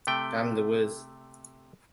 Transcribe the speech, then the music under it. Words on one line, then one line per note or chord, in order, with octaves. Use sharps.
I'm the Wiz!
C3 A3 G5